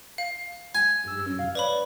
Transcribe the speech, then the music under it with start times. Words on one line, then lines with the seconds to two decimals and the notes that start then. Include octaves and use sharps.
It really is.
0.18 F5
0.75 G#5
1.07 E6
1.26 C#4
1.39 F5
1.55 B4 C#5 D5 B5